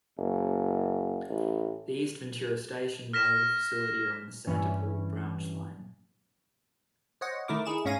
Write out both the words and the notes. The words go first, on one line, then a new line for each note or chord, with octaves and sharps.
The East Ventura Station and layover facility are on the Santa Paula branch line.
F#1
A1
F6 A#6 B6 E7
G2 E3 C#4
C5 C#5 D#5 F#5
D#3 A3 E4 A#4 D6
D#4 E4 G#4 E7
G#2 C#4 C#5 F5 A#6 D#7